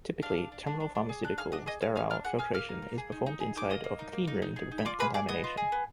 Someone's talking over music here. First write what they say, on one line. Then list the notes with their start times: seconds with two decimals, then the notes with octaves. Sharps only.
Typically, terminal pharmaceutical sterile filtration is performed inside of a cleanroom to prevent contamination.
0.22 D4 F5 F6
0.38 D4
0.52 D4
0.67 D4
0.80 D4
0.95 D4
1.09 G#4
1.24 D4 F#6
1.38 G#4 F5 F6
1.52 D4 D#5 D#6
1.66 G#4 D#5 D#6
1.81 G#4 F5 F6
1.96 G#4 F5 F6
2.10 D4 F5 F6
2.25 G#4 F#5 F#6
2.39 G#4 F5 F6
2.54 A#3 F5 F6
2.69 D#4
2.82 A#3
2.98 G#4
3.12 D#4
3.26 D#4
3.40 G#4
3.55 D#4 D6
3.70 A#3 D#5 D#6
3.84 A#3
3.99 D#4
4.13 A#3
4.28 D#4
4.42 D#4
4.56 G#4
4.71 D#4
4.78 B5
4.85 F4 D5 D6
4.99 G#4 B4 B5
5.14 G#4 D5 D6
5.29 B3 D#5 D#6
5.44 F4
5.57 G#4
5.72 B3